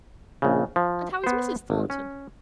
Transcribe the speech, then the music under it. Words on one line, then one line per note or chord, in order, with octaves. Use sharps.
And how is Mrs. Thornton?
A#1 C#3
F3
B3 C5
G#1
C#4